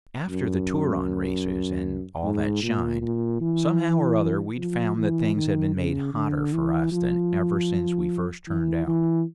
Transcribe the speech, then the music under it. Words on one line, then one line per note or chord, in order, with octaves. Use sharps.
After the Turon races and all that shine, somehow or other we found that things had been made hotter for us than ever since we first turned out.
F#2
G#2
A#2
A#2
E3
F3
E3
D#3
C#3
D3
E3
F3
E3
E3